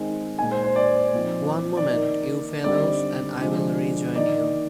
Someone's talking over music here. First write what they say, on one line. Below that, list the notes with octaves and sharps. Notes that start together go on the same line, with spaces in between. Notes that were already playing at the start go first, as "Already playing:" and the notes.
One moment, you fellows, and I’ll rejoin you.
Already playing: D#3 G#3 C4 D#4
A#2 G#3 D#4 G#5
C5
C5
D5
A#2 F3 C4 D#4
D5
D#3 A#3 D#4
D3 G3 C4 D#4 D5
D3 F3 G#3 D4
D#3 A#3 D#4 D5